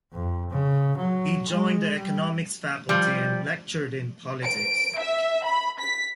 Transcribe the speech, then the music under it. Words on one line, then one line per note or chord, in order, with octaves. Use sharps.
He joined the economics faculty and lectured in politics.
F2
C#3
F#3
G#3
G3
F3 G3
D7
E5
B5
B6